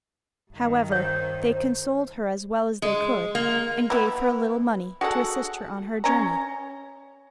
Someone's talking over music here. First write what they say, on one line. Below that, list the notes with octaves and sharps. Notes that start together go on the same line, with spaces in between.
However, they consoled her as well as they could, and gave her a little money to assist her on her journey.
G2 D#3
C5 C#5
G#3
A#3
B3 E4
F#4 G#4 A4 F#5
C#4 A#5